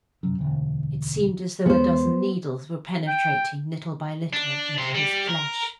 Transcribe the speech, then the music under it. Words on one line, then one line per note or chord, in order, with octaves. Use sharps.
It seemed as though a dozen needles were penetrating little by little into his flesh.
F1 F#2
E1 D2
E2 G#3 B3 C5
G5
D4
C3 C5
G3
A#4